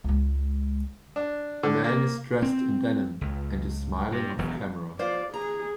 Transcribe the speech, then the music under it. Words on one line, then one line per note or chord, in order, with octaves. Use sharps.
A man is dressed in denim and is smiling offcamera.
C#2 G#3
D4
D3
A#3
C4
C#2
G2
E1 E2 B2 F#3
F3 C5 D5 F5
G#4 A#5